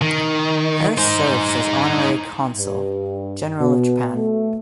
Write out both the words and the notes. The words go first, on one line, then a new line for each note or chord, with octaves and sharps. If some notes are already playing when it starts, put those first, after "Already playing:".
Harris serves as Honorary Consul General of Japan.
D#3
D#4 C5
G2
B2
A3